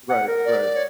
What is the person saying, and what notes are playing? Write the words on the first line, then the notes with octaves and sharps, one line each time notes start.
Right, right.
F#5
A#4
D5
C#5